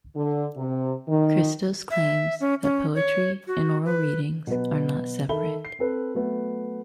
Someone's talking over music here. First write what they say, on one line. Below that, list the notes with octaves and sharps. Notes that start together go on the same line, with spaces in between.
Chrystos claims that poetry and oral readings are not separate.
D3
C3
D#3
E5
C#4
C#4
C#5
F#4
B4
B2 F#3 B3
D#3 A4 E5 B5 G7
C7
C4 A4 B4
F#3 A3 B3